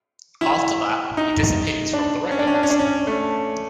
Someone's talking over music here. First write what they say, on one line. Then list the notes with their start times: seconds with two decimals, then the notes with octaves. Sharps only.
After that he disappears from the records.
0.41 E4
1.17 D#4
1.93 D4
2.31 C#4
2.39 D4
2.47 C#4
2.54 D4
2.63 C#4
2.70 D4
2.79 C#4
3.07 A3